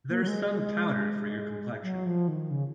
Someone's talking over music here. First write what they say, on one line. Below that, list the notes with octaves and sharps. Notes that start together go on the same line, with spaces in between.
There's some powder for your complexion.
A#3
F#3
G#3
G#3
F#3
F3
D#3
C#3